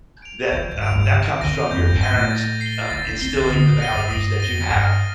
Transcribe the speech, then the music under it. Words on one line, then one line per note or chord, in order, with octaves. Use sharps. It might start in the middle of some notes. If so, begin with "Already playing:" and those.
that um, that comes from your parents, um, instilling the values that you have,
D7 F7
F3 G6
G2
D7 F7
G2
C3 G6
D#3 A#6 D#7 G7
F2 G6
G2
A#6 D#7 G7
A2
A6
C7
G7
F3 A6
D4
C4 C7 G7
D#3
D3 D#6
A#2
A#6 D#7 G7
G2
G2 D#6
F2 A#6 D#7 G7
G2 F6